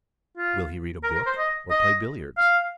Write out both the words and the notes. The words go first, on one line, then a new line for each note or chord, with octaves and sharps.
Will he read a book or play billiards?
F4
A#4
A#4
C5
D#5
D#5
F5